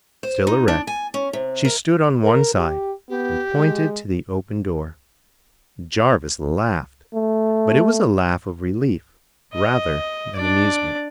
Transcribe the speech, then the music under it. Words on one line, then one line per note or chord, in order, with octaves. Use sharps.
Still erect, she stood on one side and pointed to the open door. Jarvis laughed, but it was a laugh of relief rather than amusement.
C5
D#4
D4
G#5
C#4
C3
A#4
A#4
G4
B3 G4
G#3
A3
D#5
D4 D5